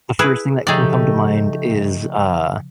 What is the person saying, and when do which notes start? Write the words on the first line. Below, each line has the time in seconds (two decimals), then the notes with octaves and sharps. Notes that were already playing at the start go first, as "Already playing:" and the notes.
the first thing that can come to mind is, uh,
0.19 E4 G#4 B4
0.67 C#3 F3 A3 D#4 G4 G#4 D5